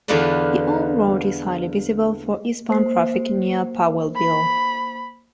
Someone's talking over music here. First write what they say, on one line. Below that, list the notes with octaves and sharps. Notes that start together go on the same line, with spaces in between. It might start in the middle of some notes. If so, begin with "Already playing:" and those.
The old road is highly visible for eastbound traffic near Powellville.
E2 D3 B3 F4 B4 D5
A#3 C5 C7
B5